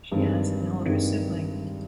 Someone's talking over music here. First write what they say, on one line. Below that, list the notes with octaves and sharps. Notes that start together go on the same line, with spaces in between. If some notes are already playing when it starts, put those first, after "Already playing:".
She has an elder sibling.
G2 D#3 G#3 C4
G2 D#3 G#3 C4